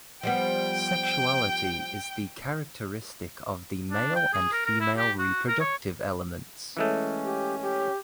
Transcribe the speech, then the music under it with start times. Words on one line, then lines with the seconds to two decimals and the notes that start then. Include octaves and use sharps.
Sexuality is the characteristic of the male and female reproductive elements.
0.23 F3 G3 B3 G5
3.91 D4
4.15 G5
4.33 G#4
4.52 A#4
4.66 A#4
4.80 E4
4.97 G4
5.19 F#4
5.48 A#4
5.60 C#5
6.77 E3 G#3 A3 C#4
7.24 G4
7.62 G4